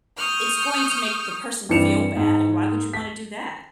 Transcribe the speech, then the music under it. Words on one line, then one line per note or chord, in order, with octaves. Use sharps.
it's going to make the person feel bad, and why would you wanna do that?
C#6 D#6 F6 G6
G2 E3 C4 C#7 E7 F7
G#2
B6